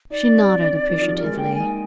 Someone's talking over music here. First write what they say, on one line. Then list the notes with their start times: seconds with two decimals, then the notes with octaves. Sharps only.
She nodded appreciatively.
0.10 D#4 D5
0.33 C4
0.37 D4
0.90 D#3
1.01 F3
1.10 G3
1.19 G#3 A#4
1.33 A#3
1.38 G5
1.55 G#5
1.60 D#4